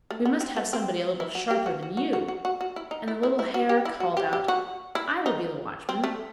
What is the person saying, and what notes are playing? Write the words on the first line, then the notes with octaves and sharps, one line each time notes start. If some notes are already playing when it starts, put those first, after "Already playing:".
We must have somebody a little sharper than you!' and the little hare called out, 'I will be the watchman.'
A3
B3
C4
B3
C4
E4
F#4
G4
F#4
F#4
F#4
F#4
F#4
F#4
F#4
E4
D#4
E4
E4
E4
F#4
G4
E4
F#4
G4
G4
F#4
E4
D#4
C4
A3